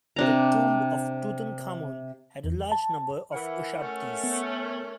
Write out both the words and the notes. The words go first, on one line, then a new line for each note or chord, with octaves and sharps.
The tomb of Tutankhamun had a large number of ushabtis.
C3 D4 A#5
E2
A5
E3 A#4 F#5
A3 C#4
B3
A#4